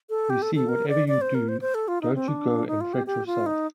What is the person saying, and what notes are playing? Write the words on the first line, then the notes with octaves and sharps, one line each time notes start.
You see, whatever you do, don't you go and fret yourself.
A4
G4
A4
A4
A#4
D5
D5
C5
A#4
C5
C5
A4
F4
D#4
C4
D4
D#4
F4
G4
G4
F4
D#4